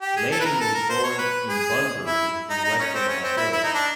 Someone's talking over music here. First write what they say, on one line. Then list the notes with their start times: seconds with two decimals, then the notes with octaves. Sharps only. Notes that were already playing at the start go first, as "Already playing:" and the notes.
Lane was born in Bunbury in Western Australia.
0.01 G4
0.16 G#4
0.31 A4
0.40 B4
0.45 A#4
0.61 A4
0.75 A#4
0.89 C5
1.04 C#5
1.19 B4
1.48 G#4
2.06 E4
2.50 D#4
2.64 D#4
2.80 C#4
2.94 C4
3.08 C#4
3.24 C4
3.37 E4
3.53 E4
3.63 D#4
3.74 D4